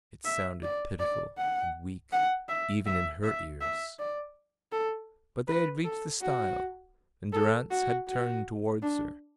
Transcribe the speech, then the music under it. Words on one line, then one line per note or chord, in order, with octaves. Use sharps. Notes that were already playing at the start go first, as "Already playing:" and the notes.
It sounded pitiful and weak, even in her ears; but they had reached the stile, and Durrance had turned towards her.
E5
D5
D5
F#5
F#5
E5
E5
E5
E5
D5
A4
B4
A4
F#4
A4
F#4
F#4
D4